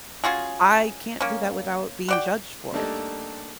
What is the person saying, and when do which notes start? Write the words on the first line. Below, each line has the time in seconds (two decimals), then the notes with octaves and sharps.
I can't do that without being judged for it.
0.24 C#4 F4 F#4 G#4
1.21 A#3 C#4
2.08 F#4 D5 G5
2.72 G3 A3 A#3 D4 D#4 A4